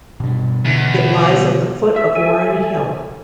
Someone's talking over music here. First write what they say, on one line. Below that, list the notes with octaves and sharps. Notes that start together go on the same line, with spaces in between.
It lies at the foot of Warren Hill.
G2 B2
E2 B2 D3 E3
A4 E5
A4 G#5